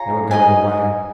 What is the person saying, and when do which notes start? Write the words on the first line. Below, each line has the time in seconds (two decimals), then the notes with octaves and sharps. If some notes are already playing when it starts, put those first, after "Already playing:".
They were going away.
Already playing: F4 G#4 C#5 A#5
0.31 D#4 G#4 D#5 G#5